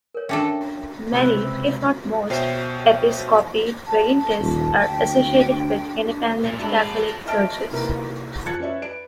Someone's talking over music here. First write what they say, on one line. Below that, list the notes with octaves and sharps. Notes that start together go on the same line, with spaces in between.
Many, if not most, "episcopi vagantes" are associated with Independent Catholic Churches.
A#4 C#5
C#4 D4 A4 E5 G5
A#5
C#2 C3 B3 C4 G4 B4
B2 C5 C#5 E5 G5 C7
A5
D#1
D2 G5
D4
A#2
G#3 A3 D4 A4 B5
D6
D#5 E5 A5 F6 A6 D7
C3 A#3 D#4 E4 A#4 B4
F2 F#6 G#6 A6 C#7
C#4 B4 C#5 D5 E5
B4 D5 D7